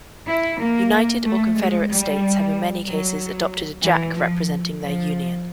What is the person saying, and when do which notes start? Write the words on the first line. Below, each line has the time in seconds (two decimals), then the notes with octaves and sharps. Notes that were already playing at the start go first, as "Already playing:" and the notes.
United or confederate states have in many cases adopted a jack representing their union.
0.29 E4
0.61 A#3
1.25 A3
1.58 G#3
1.90 G3
2.86 F#3
3.83 E3
4.15 F3
4.80 F3